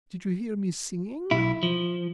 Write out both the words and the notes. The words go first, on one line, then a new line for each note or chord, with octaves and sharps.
"Did you hear me singing?"
B1 E4
F3